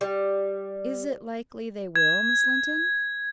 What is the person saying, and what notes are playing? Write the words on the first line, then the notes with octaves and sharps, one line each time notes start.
"Is it likely they will, Miss Linton?"
G3
G#6